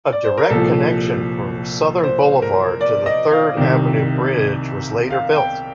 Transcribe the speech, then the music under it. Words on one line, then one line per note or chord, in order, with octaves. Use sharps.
A direct connection from Southern Boulevard to the Third Avenue Bridge was later built.
D5
C5
A#4
C2 A#2 F3 A4
C5
A#4
D5
D#5
F5
C2 C3 D#3
F5
G5